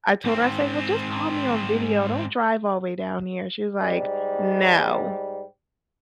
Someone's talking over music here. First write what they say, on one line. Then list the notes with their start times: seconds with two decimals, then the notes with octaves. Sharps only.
I told her, I said, "Well just call me on video, don't drive all way down here," and she was like, "No."
0.25 G#2 C4
3.81 G#2 G3